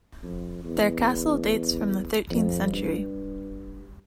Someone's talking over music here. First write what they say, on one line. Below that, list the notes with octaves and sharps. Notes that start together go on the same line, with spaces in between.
Their castle dates from the thirteenth century.
F2
E2
F2
G2